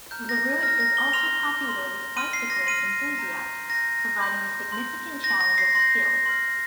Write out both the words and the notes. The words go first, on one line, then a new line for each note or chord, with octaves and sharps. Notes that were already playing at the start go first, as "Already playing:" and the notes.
The route is also popular with bicycling enthusiasts, providing a significant challenge of skill.
A#5 F6 G6
A#6
A#5 F6 A#6
A#6
G7
C6 F6 F7
C6 F6
C6 F6 D#7
C7
A#6
C6 F6 D#7
A#5 G6
A#5 G6 A#6
C6 G6
C6 G6
C6 G6 A#6
A#6
C7
C6 G6 A#6
C6 F6